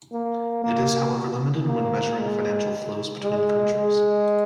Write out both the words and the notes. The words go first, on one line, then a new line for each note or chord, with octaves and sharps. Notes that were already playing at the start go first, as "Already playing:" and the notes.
It is however limited when measuring financial flows between countries.
A#3
A#3
A#3
G#3
G#3
G#3